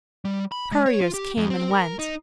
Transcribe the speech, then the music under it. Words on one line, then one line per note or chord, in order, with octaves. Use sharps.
Couriers came and went.
G3
B5
G#3
C#5
F4
G4
F2
C4
A#4
D#4